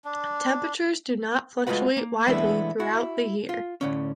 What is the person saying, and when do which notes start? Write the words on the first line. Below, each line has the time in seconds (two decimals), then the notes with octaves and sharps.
Temperatures do not fluctuate widely throughout the year.
0.04 D4
1.67 G#3 A3 F4 F#4 B4 F#5
1.97 A#3
2.27 E3 G#3 A3 B3 D4 E4
2.79 E4 F#4
3.49 F4
3.81 A2 D3 C#4